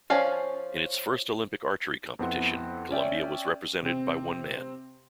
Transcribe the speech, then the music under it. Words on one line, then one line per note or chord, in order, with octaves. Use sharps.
In its first Olympic archery competition, Colombia was represented by one man.
F3 C#4 D5 F5
F2 B3 C4 E4 F#5 C6
C#4 D5 E5 G5
C3 C4